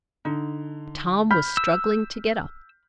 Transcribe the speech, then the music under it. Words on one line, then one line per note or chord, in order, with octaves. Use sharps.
Tom was struggling to get up.
D3 D#4
B5 F6 G6 B6
E6